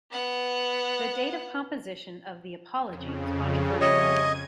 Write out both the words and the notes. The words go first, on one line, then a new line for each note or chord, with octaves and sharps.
The date of composition of the "Apology" is controversial.
B3 F#5
F2 C#3
G3 A3 C#5 D#5 G#6 D#7